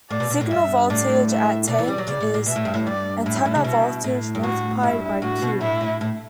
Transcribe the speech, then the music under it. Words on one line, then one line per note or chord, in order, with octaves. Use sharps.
Signal voltage at tank is antenna voltage multiplied by "Q".
A2 D5
B2
B2
A2
G2 E5
A2 D5
E5
B2 D5
E3
G3
F#3
C#3 D5
A2
A2
B2 E5
A2
G2
A2
G2 D5
A2 E4
G2
A2
C#3
B2
A2
G2
A2 F#4
G2 E4
A2 F#4
B2
A2 E4
A2
A2